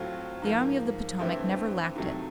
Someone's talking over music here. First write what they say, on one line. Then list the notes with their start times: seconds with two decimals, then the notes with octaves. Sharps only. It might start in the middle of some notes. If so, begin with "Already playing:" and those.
The Army of the Potomac never lacked it.
Already playing: A2 F#3 A3 C4 F4
0.42 G#2 F3 A#3
1.19 G2 E3 A3 C4 E4
1.96 C3 D#3 F#3 A3